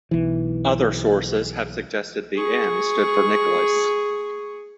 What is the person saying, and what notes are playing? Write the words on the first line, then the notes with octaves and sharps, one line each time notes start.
Other sources have suggested the "N." stood for Nicolas.
B1 E3
G#4 C#6